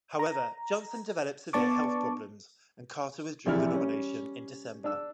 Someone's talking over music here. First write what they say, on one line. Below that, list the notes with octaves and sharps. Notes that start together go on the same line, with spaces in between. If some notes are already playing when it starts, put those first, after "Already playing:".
However Johnson developed severe health problems and Carter withdrew the nomination in December.
A#5
B3 D4 D5 A5 C#6 D6
A#1 C3 E3 D5 E5 F6
G3 C#4
D4 E6